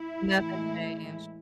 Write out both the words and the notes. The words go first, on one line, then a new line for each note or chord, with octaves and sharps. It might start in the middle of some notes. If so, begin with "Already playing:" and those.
Nothing changed.
Already playing: E4
A2 E3 G#3